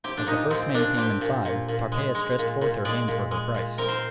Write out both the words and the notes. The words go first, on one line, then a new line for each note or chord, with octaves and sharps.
As the first man came inside, Tarpeia stretched forth her hand for her price.
C4 G4
D4
A#2 D#4
A#2 C4
A#2 D4
C4 G4
A#2
A#2
A#2
G#3
G#3
A#2
A#2
G#3 D5
A#2
G#3
A#2
C4 A#4
C5